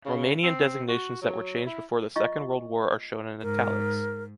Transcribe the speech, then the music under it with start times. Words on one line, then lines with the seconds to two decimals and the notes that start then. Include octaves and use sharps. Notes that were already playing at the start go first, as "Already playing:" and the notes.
Romanian designations that were changed before the Second World War are shown in "italics."
0.05 C#3
0.43 C4
0.88 F#4
1.22 F#3
1.66 E4
2.16 F4 D#5 C#6
3.42 G#2 A#4